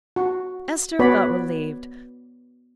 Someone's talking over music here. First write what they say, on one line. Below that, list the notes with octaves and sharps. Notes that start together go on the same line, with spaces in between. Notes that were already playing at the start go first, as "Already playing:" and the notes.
Esther felt relieved.
F#4
B3 F#4 B4 C#5 D5 B5